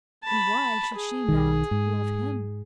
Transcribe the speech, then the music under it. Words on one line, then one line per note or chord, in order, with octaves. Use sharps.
And why should she not--love him?
A5 B5
G#4
B1 D#3
G#2